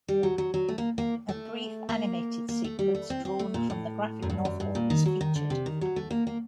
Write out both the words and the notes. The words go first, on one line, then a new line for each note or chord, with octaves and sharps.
A brief animated sequence drawn from the graphic novel is featured.
G3
F#3
F#3
F#3
A3
A#3
A#3
A3
A#3
A#3
A3
G3
A3
C4
C4
A3
A#2
A2
F#2
G2
F#2
G2
A#2
D#3
F#3
D#3
D3
C3
D#3
F#3
A3
A#3
A#3